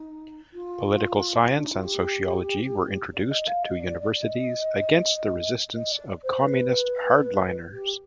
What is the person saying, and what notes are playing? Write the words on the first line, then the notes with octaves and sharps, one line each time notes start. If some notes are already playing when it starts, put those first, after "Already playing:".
Political science and sociology were introduced to universities against the resistance of communist hardliners.
Already playing: D#4
F4
D4
D#4
F4
G4
D5
D#5
F5
D#5
D5
D5
D#5
D#5
D5
C5
B4
G4